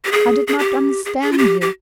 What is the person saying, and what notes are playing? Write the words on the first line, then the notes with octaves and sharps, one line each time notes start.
I did not understand you.
G4
G#4
G#4
G4
G#4
G#4
F4
G4
G4